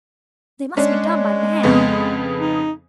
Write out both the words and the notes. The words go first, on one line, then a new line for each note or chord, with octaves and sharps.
"They must be done by now."
G#3 C#4 D4
F2 C#3 B3
D#4